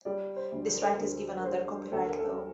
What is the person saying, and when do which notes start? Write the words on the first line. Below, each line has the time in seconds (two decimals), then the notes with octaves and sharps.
This right is given under copyright law.
0.05 G3 D5
0.36 C5
0.52 D2
0.68 A4
0.75 A#4
0.83 A4
0.98 D2 A#4
1.38 A#4
1.45 G3 C5
1.92 D2 A4
2.05 A#4
2.19 A4